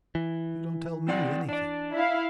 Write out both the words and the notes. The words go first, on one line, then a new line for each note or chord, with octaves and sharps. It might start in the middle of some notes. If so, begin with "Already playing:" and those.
You don't tell me anything.
E3
C4 D5 F#5
D4 D5
E4 F5